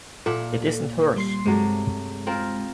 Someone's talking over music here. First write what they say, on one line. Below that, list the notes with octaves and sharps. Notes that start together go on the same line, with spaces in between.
It isn’t hers!
A#2 A4 E5 F#5
G3 C6 C7
G2 C3 F#3 G#3 A3
C4 F4 A#4